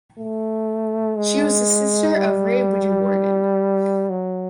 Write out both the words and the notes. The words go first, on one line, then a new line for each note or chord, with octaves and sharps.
She was the sister of Ray Wijewardene.
A3
G#3
G3
F#3